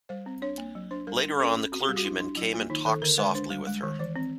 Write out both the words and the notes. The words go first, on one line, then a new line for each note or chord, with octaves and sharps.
Later on the clergyman came and talked softly with her.
G3 C5
C4
D4 C#5
A#3
F#3
D4 C5
G3 A#4
D4
C#4 A4
C#4
C4 F#4
G#4
G3 G4
F#4
D4 E4
D4
F#3 E4
A#3 F4
D#3 D#4
D#3 A4
D3 A#4
G#3 B4
D4 C5
G3
G#3
D#3
E3 C5
C4